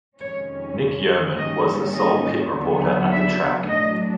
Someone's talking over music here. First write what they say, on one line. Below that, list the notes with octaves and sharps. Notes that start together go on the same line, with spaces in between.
Nick Yeoman was the sole pit reporter at the track.
F2 C3 D#3 G#3 C#4 C#5
G#2 D#3 G3 A#3 C#4 D#5
D#5
D#2 D3 F#3 B3 D4
E5
A2 F#3 A3 D4 D#5